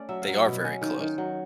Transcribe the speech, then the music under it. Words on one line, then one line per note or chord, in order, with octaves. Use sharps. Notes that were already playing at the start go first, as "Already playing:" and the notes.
they are very close.
Already playing: A3 C#4 D5
F#3 E5
F5
F#3
E5
B2
C#4
D#3
D#3
F#3